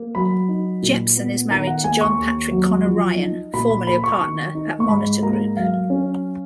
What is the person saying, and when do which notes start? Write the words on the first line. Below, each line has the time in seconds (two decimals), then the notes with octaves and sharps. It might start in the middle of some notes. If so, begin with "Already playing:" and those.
Jepsen is married to John Patrick Conor Ryan, formerly a partner at Monitor Group.
Already playing: A#3
0.15 F#3 B5
0.49 D#4
0.83 A#2
1.17 B3
1.51 D#3 A#5
1.67 F#5
1.84 D#2 G#5
2.01 C#6
2.19 D#2
2.51 F#3
2.85 F3
3.19 D#4
3.54 A#2 B5
3.70 B5
3.87 A#3 B5
4.04 C#6
4.20 D#3
4.55 D#4
4.80 C#6
4.88 G#2 B5
5.22 A#3 A#5
5.57 F#3 F5
5.90 C#4